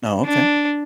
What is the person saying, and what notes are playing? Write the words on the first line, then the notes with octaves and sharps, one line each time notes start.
Oh, okay.
D4